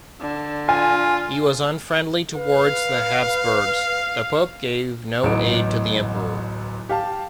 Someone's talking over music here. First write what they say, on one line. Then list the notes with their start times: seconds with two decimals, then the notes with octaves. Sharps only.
He was unfriendly towards the Habsburgs; the pope gave no aid to the emperor.
0.21 D3
0.69 F4 G#5
2.35 B4 F5
5.23 D1 A1 F#3 B3 D#4 D7
6.89 G4 F5 A5